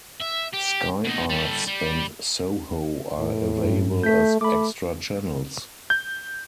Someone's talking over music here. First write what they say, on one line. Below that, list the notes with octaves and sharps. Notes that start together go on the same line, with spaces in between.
Sky Arts and SoHo are available as extra channels.
E5
G4
B2 D#4
G3 A4
G3
A2
G2
A3 G6 B6
A3 B5 D6
G6